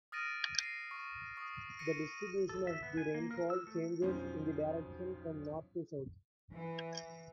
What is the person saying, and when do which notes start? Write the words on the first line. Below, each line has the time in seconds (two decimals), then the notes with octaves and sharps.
The distribution of the rainfall changes in the direction from north to south.
0.12 D#6 F6 A6 A#6 D7 D#7
0.60 C7
0.91 C#6
1.37 C#6 D#6
1.79 A#6 C#7 D#7
2.49 A4
2.67 E5
2.83 B3
2.97 G#5
3.14 A#3
3.31 A#4
3.50 E6
3.67 A3
4.02 B1 F2 C#4 C5
6.53 E3